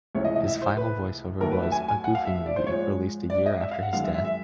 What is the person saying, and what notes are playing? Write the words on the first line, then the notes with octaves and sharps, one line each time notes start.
His final voice-over was "A Goofy Movie", released a year after his death.
C#2 C3 E3 A3 C#5
D#5
D#5
E5
C5
B4
D#2 D#3 F#3 A3 A#4
B4
E5
G#5
G#5
F#5
F5
E5
E5
D5
C5
G#2 F3 G#3 C#5
D5
D#5
E5
F5
F#5
F#2 D#3 G#3 F5
E5
E5
E5